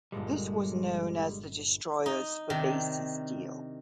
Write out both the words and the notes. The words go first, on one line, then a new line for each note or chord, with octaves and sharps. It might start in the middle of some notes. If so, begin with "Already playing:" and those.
This was known as the destroyers for bases deal.
G1 G2 A#2 G3 G#3
D#4
C3 D#3 D4